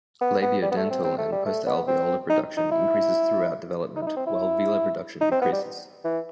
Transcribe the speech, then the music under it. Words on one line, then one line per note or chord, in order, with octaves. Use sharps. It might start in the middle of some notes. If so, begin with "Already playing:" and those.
Labiodental and postalveolar production increases throughout development, while velar production decreases.
B3
B3
G3
B3
A3
C4
C4
A3
G3
A3
B3
C4
D#4
D#4
E4
D#4
E4
D#4
C4
E4
D#4
C4
B3
G3
E3